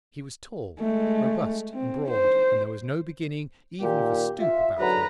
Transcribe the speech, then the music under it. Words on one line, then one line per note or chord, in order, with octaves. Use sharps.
He was tall, robust, and broad, and there was no beginning even of a stoop about him.
G#3 A3
C4
C5
A#2 D#3 G4
F4 E5
G#2 D3 F#3 B4 A#5